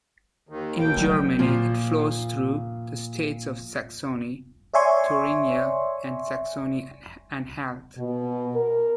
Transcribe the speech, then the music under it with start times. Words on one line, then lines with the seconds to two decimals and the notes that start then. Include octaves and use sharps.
In Germany, it flows through the states of Saxony, Thuringia and Saxony-Anhalt.
0.49 D#2 D#3
0.79 B2 A#3 G5
0.97 F1 D3 F#3
1.39 A#2 F3
4.74 C#5 D5 E5 G#5 C6 C#6
7.97 B2
8.55 A#4